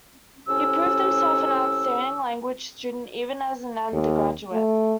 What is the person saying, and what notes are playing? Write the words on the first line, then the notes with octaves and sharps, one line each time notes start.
He proved himself an outstanding language student even as an undergraduate.
A2 C3 C#4 E6
D#2
A3